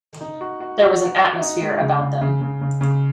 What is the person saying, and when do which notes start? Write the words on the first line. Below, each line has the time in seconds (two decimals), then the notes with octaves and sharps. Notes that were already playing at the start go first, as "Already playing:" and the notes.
There was an atmosphere about them.
0.21 D#4
0.41 F#4
0.60 F#4
0.81 F#4
1.01 F#4
1.21 F#4
1.41 D#4
1.61 G#3
1.81 C#3
2.01 C#3
2.21 C#3
2.41 C#3
2.61 C#3
2.81 C#3